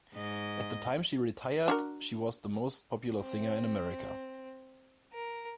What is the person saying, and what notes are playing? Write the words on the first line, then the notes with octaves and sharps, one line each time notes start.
At the time she retired, she was the most popular singer in America.
G#2 D#5
D4 F#4 A#4
C4
A#4